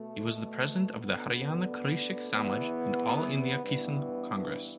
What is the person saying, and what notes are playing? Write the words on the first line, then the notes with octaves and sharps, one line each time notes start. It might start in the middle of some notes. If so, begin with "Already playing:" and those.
He was the president of the Haryana Krishak Samaj and All India Kisan Congress.
Already playing: B2 A3
D2 D3 B3
D5
E2 E3 B3
B4
G2 E3 B3
D4